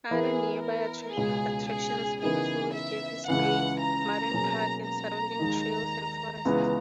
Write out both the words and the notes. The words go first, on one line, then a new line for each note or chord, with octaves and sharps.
Other nearby attractions include Jervis Bay Marine Park and surrounding trails and forests.
E3 B3 E4 G#4 A#4
A#4
C#2 B2 G#3 C#4 G#4
G#4
C#3 E3 B3 D#4 G#4 A#4
E5
C#2 C#3 E3 F#5
A#5
B2 F#3 A#3 C#4 G#4
A#5
D#2 D#3 G#3 D#4
C#2 C#3 E3 B3